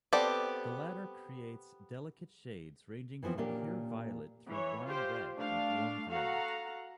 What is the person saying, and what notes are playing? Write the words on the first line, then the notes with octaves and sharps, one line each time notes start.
The latter creates delicate shades ranging from pure violet through wine-red and warm grey.
B3 C4 G4 A4 D5
E3 F3 B3 C4 F4
A#2 A#3 C#4 D4 G4
E3 C#5
F4 G4 C5
A3 D4 F5
F#4 A4 F5 F#5 A#5